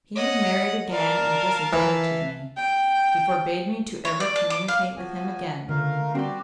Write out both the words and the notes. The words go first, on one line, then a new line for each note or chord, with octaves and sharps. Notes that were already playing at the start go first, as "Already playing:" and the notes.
He had married again and disinherited me. He forbade me to ever communicate with him again.
C#5 D#5 F#5
A#4 D5 F5 A5
E3 E5
G5
C#5
D5
A5
D6
F5
F3 F#4 G#5
C#2 D3 A3 A#4 F5
G3 C4 F#4 G4 C6